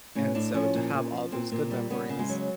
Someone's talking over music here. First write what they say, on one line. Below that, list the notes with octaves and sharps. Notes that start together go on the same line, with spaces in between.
And so, to have all those good memories
A2 C#4
A2 D4
F3 C#4
A#2
A#2
F3
A#2 C4
A#2
G3
C#3 B3
C#3
G#3
F#3